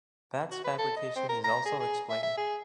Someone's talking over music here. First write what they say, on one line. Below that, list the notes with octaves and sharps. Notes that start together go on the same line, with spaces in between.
Bats fabrication is also explained.
F#4
B4
A4
D#5
C4
A#4
A#5
G#4
G#4
E5
E5
G#4